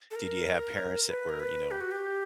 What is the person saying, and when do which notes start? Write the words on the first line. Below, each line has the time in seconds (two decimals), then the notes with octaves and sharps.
Did you have parents that were, you know,
0.11 A4
0.16 A#4
1.08 B4
1.29 A#4
1.40 B4
1.71 G4
1.81 F#4
1.91 G4